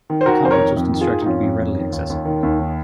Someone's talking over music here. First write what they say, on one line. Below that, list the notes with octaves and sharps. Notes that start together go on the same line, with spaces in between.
The complex was constructed to be readily accessible.
D#3
C5
D#3 F#4 A#4
F2 C5
A#4 C#5
D#3
F2
D#3
F4 G#4
D#3
D#4
F2 C#4 F4
F2
F2
D#3
D#2
D#2
D#3
D#2
D#3